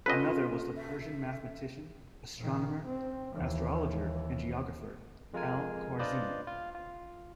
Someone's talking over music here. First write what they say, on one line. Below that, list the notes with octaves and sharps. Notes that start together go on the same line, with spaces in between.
Another was the Persian mathematician, astronomer, astrologer and geographer Al Khwarizmi.
C#4 F4 A4 B4 D#5
E5
A#2 D#3
C4
D#2 E3
F2 G#3 F4 A#4 G#5
D4 F4 B4 C5 D5 D#5
F4
F4